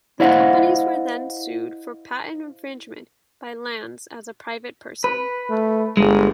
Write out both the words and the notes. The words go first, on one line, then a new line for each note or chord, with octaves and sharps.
The companies were then sued for patent infringement by Lans, as a private person.
E4 C5 D#5 F5 F#5
B4
A3
G1 G#3